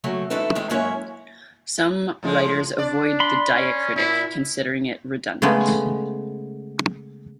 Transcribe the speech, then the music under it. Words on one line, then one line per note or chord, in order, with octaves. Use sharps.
Some writers avoid the diacritic, considering it redundant.
C#3 F#3 A3 A#3
G#3 A3 D#4 E4 A4 B4
D#3 G#3 D#4 E4
F#2 G#3 A#3 C#4 E4 C#5
A2 F3 G#3
D4 D5
B5 C6
C#4
A#2 E4
C#3 G#3 A3 B3